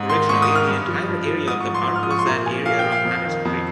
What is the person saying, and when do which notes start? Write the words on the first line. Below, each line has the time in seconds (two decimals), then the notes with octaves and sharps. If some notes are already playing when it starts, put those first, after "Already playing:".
Originally, the entire area of the park was that area around Patterson Creek.
Already playing: G#2
0.09 D#3 C6
0.29 G#2 C#6
0.42 D#6
0.49 D#3
0.55 F6
0.68 G2
0.88 F3
1.08 G2
1.28 F3
1.48 G#2 D#6
1.60 C#6
1.67 F3
1.74 C6
1.87 G#2
1.96 F6
2.03 D#6
2.07 F3 C#6
2.19 C6
2.26 A#2 A#5
2.46 F3 G#5
2.66 A#2 F5
2.79 G5
2.86 F3
2.92 F5
3.05 F2
3.25 D#3
3.45 F2